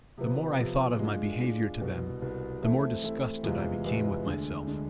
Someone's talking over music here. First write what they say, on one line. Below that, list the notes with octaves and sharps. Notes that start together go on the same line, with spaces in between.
The more I thought of my behaviour to them, the more disgusted I became with myself.
C3 F3 B3
C3 F3 B3
G#3 D4 F4
G#3 D4 F4
C2 B2 B3
C2 B2 B3
E3 A3 C4 E4 A4
E3 A3 C4 E4 A4
E2 C3 G#3 B3 F4
E2 C3 G#3 B3 F4
D2 D3 G#3
D3 G#3